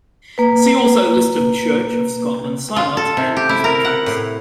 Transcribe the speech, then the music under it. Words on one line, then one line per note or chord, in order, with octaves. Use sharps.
See also List of Church of Scotland synods and presbyteries.
A#3 B4
F4
A4
C3
G4
E4
A#4
F#5
A2